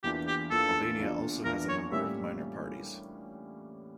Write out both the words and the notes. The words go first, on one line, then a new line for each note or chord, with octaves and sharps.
Albania also has a number of minor parties.
E2 E3 A#3 D4 F4 G4
G4
E2 E3 A#3 D4 F4 A4
E2 E3 A#3 D4 F4
E2 E3 A#3 D4 F4 A#4
C#5
A2 G3 A#3 C#4 E5